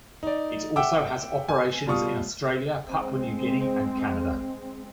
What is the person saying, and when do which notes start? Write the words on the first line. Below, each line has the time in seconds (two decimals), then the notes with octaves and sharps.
It also has operations in Australia, Papua New Guinea and Canada.
0.23 D#4 D5
0.76 E5 F#5 G5 D6 E6
1.49 G#5
1.86 B2 G3 F4 C#6 D#6
2.89 G#3 C4